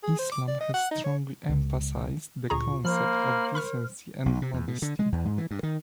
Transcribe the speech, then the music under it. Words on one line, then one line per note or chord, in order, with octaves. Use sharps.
Islam has strongly emphasized the concept of decency and modesty.
G#4
C5
D6
D5
D#5
F#5
D#4
C#5
C#2
D2 A#2 G#4 A#5 C#6
F3 A#3 C5 B5 F6
A#4 B5 C#6 F6
B1
C3
E2
B2
D3
G#3
E2
G#2
E3
G2
D#3